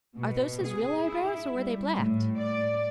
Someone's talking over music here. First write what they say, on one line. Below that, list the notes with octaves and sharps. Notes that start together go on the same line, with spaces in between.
"Are those his real eyebrows or were they blacked?"
B2
G#4
E4
G3
A2
D5